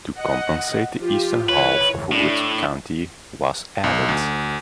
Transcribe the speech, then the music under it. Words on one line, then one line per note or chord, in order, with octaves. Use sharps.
To compensate, the eastern half of Wood County was added.
D#5 F#5
F3 F4 G4
E3 B4 C#5
A2 D4 E4
B1
D2